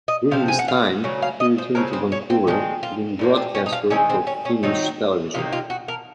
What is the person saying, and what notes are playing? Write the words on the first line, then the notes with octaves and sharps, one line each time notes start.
During this time, he returned to Vancouver, doing broadcast work for Finnish television.
D#5
C3 F3 C4 F5
G#5
F#5
F5
C#3 F#3
F5
D#5
C5
C#3 G#3 C4 A#4
C4
C#4
C4
D#3 G#3 C4 C#4
F4
A#2 F3 A#3
C4
C#4
D#4
F4
D#3 G#3 C4 C#4
C4
C#4
C#4
D#3 F#3 C4 D#4
C3 D#3 A#3 F4
F4
F#4
A#4